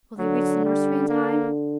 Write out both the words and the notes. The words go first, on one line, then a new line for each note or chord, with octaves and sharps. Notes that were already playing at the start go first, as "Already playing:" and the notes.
Will they reach the nursery in time?
D3 F#3
G3
A#3